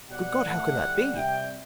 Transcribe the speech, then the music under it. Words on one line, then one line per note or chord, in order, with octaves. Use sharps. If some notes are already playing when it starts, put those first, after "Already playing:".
Good God! how can that be?
B2 G3 D5 F#5
A2 E3 A3 D5 F#5
D3 G3
C3 G3 E5 G5